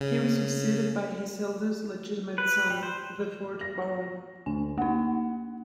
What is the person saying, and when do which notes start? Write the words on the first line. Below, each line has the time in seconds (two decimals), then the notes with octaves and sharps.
He was succeeded by his eldest legitimate son, the fourth Baron.
0.01 C#3
2.38 B4
2.70 G3
2.83 C5
3.61 A#6
4.46 D2 G#5
4.78 A#3 D#4 F#5